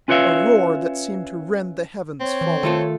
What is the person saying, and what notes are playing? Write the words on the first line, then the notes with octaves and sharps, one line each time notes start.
A roar that seemed to rend the heavens followed.
C#4 F4 B4 C#5 E5 F5
C4 C#5
E3
D#3 A3 F4 A4